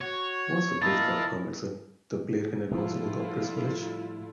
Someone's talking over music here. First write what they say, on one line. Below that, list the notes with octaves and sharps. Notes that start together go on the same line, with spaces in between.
Once the bridge guard permits it, the player can advance into the Oppressed Village.
F#4 C#5
E4 F4 A#4 D#5 A5 A6
A2 D3 F3 G3 E4 F4